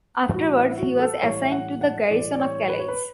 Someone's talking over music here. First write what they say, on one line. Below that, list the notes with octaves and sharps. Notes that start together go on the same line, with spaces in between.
Afterwards, he was assigned to the garrison of Calais.
A2 E3 G3 F#4
E4
F#4
A4
A2 E3 G3 C#5
E5
F#5
F#5
A2 E3 G3 D5
D5
C#5
B4
C#5
B4